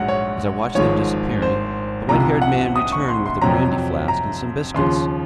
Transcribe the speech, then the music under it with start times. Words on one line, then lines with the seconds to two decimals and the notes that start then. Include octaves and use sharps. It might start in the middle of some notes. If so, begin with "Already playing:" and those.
As I watched them disappearing, the white-haired man returned with a brandy-flask and some biscuits.
Already playing: A#1 G#2 F#3 F#5
0.08 C#5
0.75 G#1 G#2 F3 C#5
1.42 C5
2.08 C2 C3 F3 A#5
2.42 F#5
2.76 D#6
2.92 C#6
3.08 C6
3.26 C6
3.42 F2 C3 F#3 A#5
4.08 A#5
4.75 D#2 C#3 F3 C6